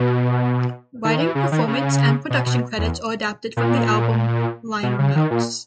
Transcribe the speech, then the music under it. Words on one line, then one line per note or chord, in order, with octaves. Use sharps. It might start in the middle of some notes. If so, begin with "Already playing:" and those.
Writing, performance and production credits are adapted from the album liner notes.
Already playing: B2
D#3
E3
C#3
D#3
C#3
B2
B2
E2
A#2
B2
C#3
D#3
A#2